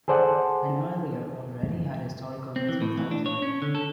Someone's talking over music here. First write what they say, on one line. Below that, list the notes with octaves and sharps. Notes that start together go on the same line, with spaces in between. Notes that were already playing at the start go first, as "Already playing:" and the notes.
An earlier already had historical links with Southland.
G#4 A4 C5 D5 F#5
C4
E3
A2
E3
D4
C#5
C#4
D3
A4